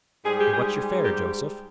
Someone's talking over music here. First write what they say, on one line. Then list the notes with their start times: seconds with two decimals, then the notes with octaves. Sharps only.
"And what's your fare, Joseph?"
0.24 G#2 G3 G#4
0.38 G4
0.51 G#4
1.02 G4